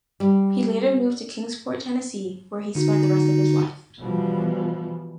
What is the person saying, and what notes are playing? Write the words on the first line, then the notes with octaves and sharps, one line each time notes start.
He later moved to Kingsport, Tennessee, where he spent the rest of his life.
G3
D3 D#4 F#4
B2 E3 F3 G3